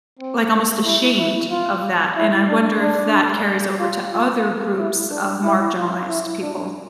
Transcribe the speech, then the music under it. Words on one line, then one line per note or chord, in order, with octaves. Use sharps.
like, almost ashamed of that, and I wonder if that carries over to other groups of marginalized people.
C4
E4
E4
F4
E4
D4
D4
F4
F4
E4
D4
E4
F4
E4
D4